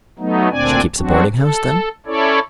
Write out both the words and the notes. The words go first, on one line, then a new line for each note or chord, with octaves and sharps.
"She keeps a boarding-house, then?"
F#3 A3 B3 D#4
D2 A#2 C4 D4 D5 G#5
F#3 C4 D4 F#4
A4
C#4 E4 A4 C#5 D5